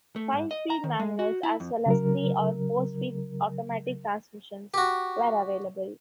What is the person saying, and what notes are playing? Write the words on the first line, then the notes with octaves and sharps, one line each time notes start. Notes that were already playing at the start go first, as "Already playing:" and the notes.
Five-speed manuals as well as three- or four-speed automatic transmissions were available.
A3
G#2
D#5
A#5
D#3
G#3
F#4
E4
F2
C#3 F#3 A#4
F#4 G4